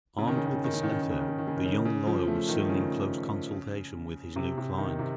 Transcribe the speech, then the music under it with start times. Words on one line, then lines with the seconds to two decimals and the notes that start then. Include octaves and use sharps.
Armed with this letter the young lawyer was soon in close consultation with his new client.
0.18 C#3
0.27 D#3
0.37 C#3
0.46 D#3
0.55 C#3
0.64 D#3
0.74 C#3
0.83 D#3
0.92 C#3
1.01 D#3
1.11 C#3
1.20 D#3
1.28 C#3
1.38 D#3
1.47 C#3
1.57 D#3
1.66 C#3
1.85 C#3
2.07 F3
2.27 A3
2.49 D#3
2.69 C#3
4.36 C3
4.58 C3
4.78 D#3
4.99 C3